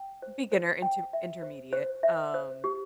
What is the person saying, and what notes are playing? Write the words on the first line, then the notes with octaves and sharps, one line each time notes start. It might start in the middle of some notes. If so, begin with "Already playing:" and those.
beginner inter intermediate, um,
Already playing: G5
C5
C5
G5
E5
C5
C5
E5
C5
G4